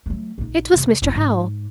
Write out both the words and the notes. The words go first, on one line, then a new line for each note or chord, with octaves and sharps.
It was Mr. Howell.
F#3 A3
A#1 D#4
F2 C3
F1 E4
G#2